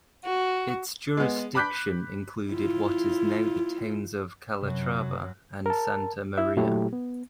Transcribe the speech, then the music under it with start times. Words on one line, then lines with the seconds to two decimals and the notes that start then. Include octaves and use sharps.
Its jurisdiction included what is now the towns of Calatrava and Santa Maria.
0.25 F#4
1.17 G#3 B3
1.55 B5 D6 F#6 G6 B6
2.51 E4 F4
4.62 F#2 C3 F#3
5.66 A#4 A5
6.38 E4 E5
6.56 A#2 F#3 A3 E4 G4
6.93 B3